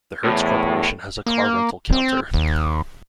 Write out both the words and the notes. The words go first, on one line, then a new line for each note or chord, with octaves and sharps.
The Hertz Corporation has a car rental counter.
E2 A2
A#3
C4
D#2